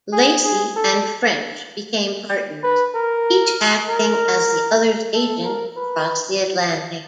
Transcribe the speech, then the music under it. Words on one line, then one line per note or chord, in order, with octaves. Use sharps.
Lacy and French became partners, each acting as the other's agent across the Atlantic.
G#4
G#4
A4
B4
A#4
A#4
A4
A#4
B4